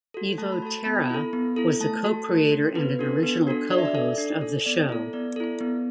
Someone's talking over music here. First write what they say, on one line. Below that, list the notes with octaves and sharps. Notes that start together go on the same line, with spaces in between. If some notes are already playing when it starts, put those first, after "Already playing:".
Evo Terra was a co-creator and an original co-host of the show.
F#4 A4
A3 A5
B5
F#4 A4 A5
B3 B5
E4 A4
B3
E4 A4
A3 A5
F#4 A4
A3
F#4 A4
B3 B4
D4 F#4 A4
B3
D4 F#4 A4
D4 D5
E5
D5
A4
D4
A4
B3 D5
E4 A4
B3 D5
E4 A4
B3